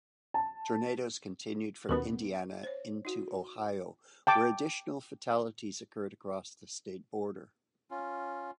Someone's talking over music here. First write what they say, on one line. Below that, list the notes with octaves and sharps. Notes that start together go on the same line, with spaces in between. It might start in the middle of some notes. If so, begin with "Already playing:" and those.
Tornadoes continued from Indiana into Ohio where additional fatalities occurred across the state border.
A5
D#2 B2 B3 C#4 A#4
C5 C#5
D#4 F#4
G5 A5 D6
C#4 F4